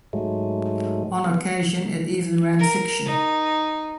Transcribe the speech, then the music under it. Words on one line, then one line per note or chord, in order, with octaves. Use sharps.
On occasion it even ran fiction.
G#2 F#3 G#3 A3
B3
A#4
D#4